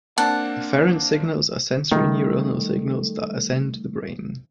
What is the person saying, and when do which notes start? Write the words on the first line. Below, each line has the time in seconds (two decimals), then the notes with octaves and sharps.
Afferent signals are sensory neuronal signals that ascend to the brain.
0.18 A#3 C4 D4 F#5 A5
1.92 D#3 G3 A3